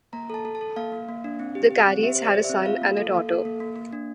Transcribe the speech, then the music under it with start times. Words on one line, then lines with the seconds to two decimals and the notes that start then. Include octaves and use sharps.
The Careys had a son and a daughter.
0.13 A#3 A#5
0.30 A4 A5
0.45 A4
0.55 A5
0.61 A4
0.76 A#3 F5
0.92 A#3
1.09 A#3
1.24 D4
1.39 C4
1.55 G4
1.71 G4
1.87 C4
2.03 G4 E5
2.15 C5
2.18 G4
2.24 D5
2.35 G4
2.44 C4 E5
2.65 F4 F5
2.82 A#3
2.97 A4
3.13 A#3
3.29 A4
3.45 A#3
3.60 A#3
3.76 A#3
3.93 D4